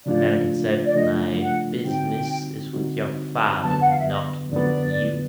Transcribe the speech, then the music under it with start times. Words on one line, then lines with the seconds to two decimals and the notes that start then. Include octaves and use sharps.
The Mannikin said, 'My business is with your father, and not with you.'
0.06 C#3 F3 A3 D4 F4 D5
0.85 D5
0.95 C#3 F3 A3 D4 F4 D#5
1.40 F#5
1.84 D3 G3 C4 D#4 F#4 G5
2.73 D3 G3 C4 D#4 F#4
3.62 F2 D3 F#3 B3 A5
3.81 F#5
3.89 F5
3.99 E5
4.07 D#5
4.51 F2 D3 F#3 B3 D5